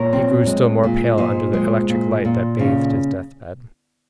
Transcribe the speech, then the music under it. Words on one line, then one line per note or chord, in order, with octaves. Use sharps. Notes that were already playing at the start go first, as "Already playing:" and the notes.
He grew still more pale under the electric light that bathed his deathbed.
Already playing: A#2 A#4 C#5
C4
G#3
A#2
A#2 C5 D#5
G#3
A#2
A#2
C#3